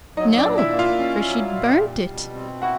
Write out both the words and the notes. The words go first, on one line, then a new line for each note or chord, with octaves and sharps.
'No! for she'd burnt it.'
F#3 D#4 D#5
D4 D5
A#2
E4 E5
A#3
F4 F5
C#4
F#3
A#2
G3
B2
C4
E4 F#4 F#5